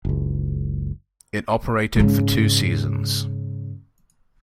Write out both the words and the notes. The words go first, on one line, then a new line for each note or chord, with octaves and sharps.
It operated for two seasons.
F#1 C#2
G#2 C#3